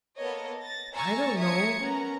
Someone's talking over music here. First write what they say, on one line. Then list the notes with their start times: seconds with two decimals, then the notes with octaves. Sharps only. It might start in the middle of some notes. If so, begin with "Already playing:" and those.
"I don't know."
0.18 A#3 B3 A4 A#4 C#5 D#5
0.60 A6 A#6
0.94 G#5 A#5 C#6 E6 A6
1.39 C#5 E5 A#5 D#6 G#6 C#7
1.81 B3 C#4 A#4 A#5